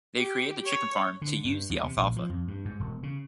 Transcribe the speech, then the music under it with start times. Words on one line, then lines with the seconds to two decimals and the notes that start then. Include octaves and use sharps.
They created a chicken farm to use the alfalfa.
0.17 G4
0.65 C#5
1.22 D3
1.45 G2
1.70 E2
1.83 C3
1.96 A#1
2.16 F3
2.30 F2
2.48 G2
2.65 G#2
2.80 E1
3.03 C#3